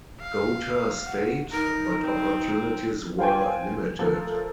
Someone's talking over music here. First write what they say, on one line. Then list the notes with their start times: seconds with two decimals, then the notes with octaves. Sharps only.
Goater stayed, but opportunities were limited.
0.21 F5
1.05 F#5
1.51 D#4 A#4
2.01 C4
3.19 F4 C5 G5 G#5
3.99 F3 A3 A4 A#4